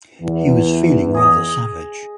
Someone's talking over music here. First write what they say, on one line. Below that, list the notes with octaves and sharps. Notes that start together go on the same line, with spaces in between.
He was feeling rather savage.
E2 E3
G#4 D#5